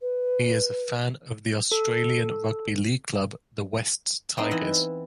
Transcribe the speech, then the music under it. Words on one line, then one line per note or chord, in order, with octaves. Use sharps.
He is a fan of the Australian rugby league club the Wests Tigers.
B4
A4
B3 C4 D#4
E3 D#5 E5 F#5